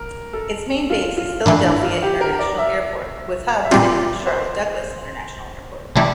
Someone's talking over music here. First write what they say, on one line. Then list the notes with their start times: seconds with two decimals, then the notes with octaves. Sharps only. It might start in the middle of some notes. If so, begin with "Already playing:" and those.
Its main base is Philadelphia International Airport with hubs in Charlotte Douglas International Airport.
Already playing: A#4
0.33 A4
0.90 F4
1.17 F4
1.46 G2 E3 A3 D4
1.65 E4
1.83 F4
2.03 G4
2.21 A#4
2.39 D5
2.58 E5
3.64 E5
3.71 A#2 G3 C4 F4 D5
4.27 C5
5.96 C3 E3 A3 E4 D5